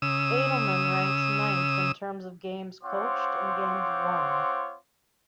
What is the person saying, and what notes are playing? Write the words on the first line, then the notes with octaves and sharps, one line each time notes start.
Adelman ranks ninth in terms of games coached and games won.
C#3 D#6 E6
C4 F4 C5 C#5 F#5 D6